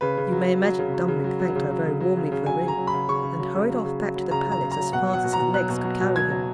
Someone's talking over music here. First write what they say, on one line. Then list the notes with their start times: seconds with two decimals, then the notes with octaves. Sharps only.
You may imagine Dummling thanked her very warmly for the ring, and hurried off back to the palace as fast as his legs could carry him.
0.01 C#3 B4
0.17 C#3
0.32 F#3
0.47 F#3
0.63 F#3
0.79 C#3
0.94 F#3
1.08 C#3
1.24 F#3
1.40 F#3
1.55 C#3
1.71 F#3
1.85 C#3
2.00 F#3
2.17 C#3
2.32 C#3
2.46 F#3 G#5
2.62 C#3
2.68 A#5
2.78 F#3
2.87 B5
2.93 C#3
3.09 C#3 C#6
3.23 C#3
3.39 F#3
3.54 C#3
3.69 F#3
3.85 C#3
4.00 F#3
4.16 F#3
4.31 C#3 A#5
4.47 F#3 A#5
4.62 C#3
4.72 A#5
4.77 F#3
4.92 B2 F#5
5.08 F#3
5.13 F#5
5.24 B2
5.33 A#5
5.39 B2
5.54 F#3 F#6
5.69 B2
5.84 F#3
6.00 B2
6.15 F#3 G#6
6.30 F#3